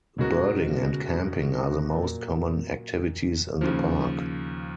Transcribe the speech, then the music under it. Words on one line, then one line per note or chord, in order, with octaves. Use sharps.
Birding and camping are the most common activities in the park.
B2 G#3 C#4 F#4 A#4
A#2 F#3 A#3
D#2 C#3 F3